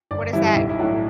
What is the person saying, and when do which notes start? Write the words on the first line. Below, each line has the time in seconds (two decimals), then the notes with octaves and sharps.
what is that?
0.11 G1 D5
0.33 F#2 E3 G3 E4
0.56 B1 E4
0.69 E4
0.79 A2 F#3 D4